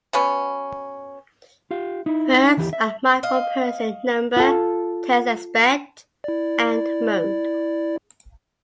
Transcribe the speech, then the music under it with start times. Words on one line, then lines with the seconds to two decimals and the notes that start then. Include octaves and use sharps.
Verbs are marked for person, number, tense-aspect, and mode.
0.13 B2 B3 C#4
1.71 F4 G4 F5
2.06 D#4 E4
2.57 D#2 E3 E4 G4
2.73 E5
3.23 D#5 F5
4.36 F4 A4
6.24 E4 D5